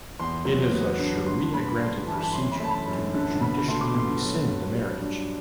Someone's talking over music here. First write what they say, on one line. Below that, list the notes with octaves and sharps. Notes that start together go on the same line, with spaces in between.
It is a Sharia-granted procedure to judicially rescind a marriage.
E2 C6
F#3
B3
D3
G2 C6
B3 B5
D4 C6
E3 A5
B5
A5
F#2 C6
B5
A3 A5
B5
F#2
D3
B2 B5
A3 C6
D6
B2 C6
F#3
G2
G3
D4